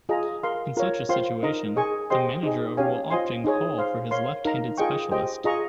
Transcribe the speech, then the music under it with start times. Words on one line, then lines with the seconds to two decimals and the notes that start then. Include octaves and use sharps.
In such a situation, the manager will often call for his left-handed specialist.
0.09 F4 G#4 D#5 A#5
0.43 A#4 F5 C6
0.77 F4 A#4 C#5
1.09 F4 C5 F5 C6
1.43 D#4 A#4 D#5 A#5
1.76 G#4 D#5 G#5 C#6
2.10 G4 C5 D#5 G5 C6
2.43 D#4 G#4 D#5
2.77 C#4 G4 C#5 F5 G#5
3.10 F4 C5 D#5 G#5 C6
3.44 D#4 G#4 C#5
3.78 C5 F5 C6
4.10 A#4 C#5 F5 C6
4.45 D#4 A#4 F5 A#5
4.78 F4 G#4 D#5 G5 C#6
5.11 G4 C5 D#5 G5
5.44 F4 G#4 D#5 A#5 C#6